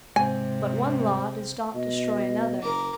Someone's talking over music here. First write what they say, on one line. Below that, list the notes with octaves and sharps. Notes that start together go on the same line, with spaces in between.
But one law does not destroy another.
G#2 C3 C4 G#5
B2 D#5
F#1 A#4 D6